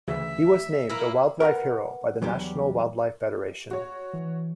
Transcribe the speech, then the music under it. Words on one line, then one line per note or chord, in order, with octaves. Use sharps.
He was named a Wildlife Hero by the National Wildlife Federation.
D2 C#3 E3 E5
A#3 E4
A#4 B4 D5 F#5 A#5
E2 F#3 G3 D4 G4
F#4 C#5
E3